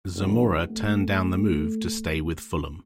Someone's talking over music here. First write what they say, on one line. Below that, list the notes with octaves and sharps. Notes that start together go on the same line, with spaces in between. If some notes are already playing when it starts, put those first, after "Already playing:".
Zamora turned down the move to stay with Fulham.
F1
A3